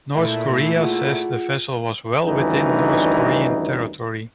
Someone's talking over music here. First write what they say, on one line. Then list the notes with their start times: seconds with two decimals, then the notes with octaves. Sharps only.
North Korea says the vessel was well within North Korean territory.
0.15 A#2 A3 E4 E5
0.77 F4 G#4 F#5
2.25 D2 G2 D#3 E3 C#4 D#4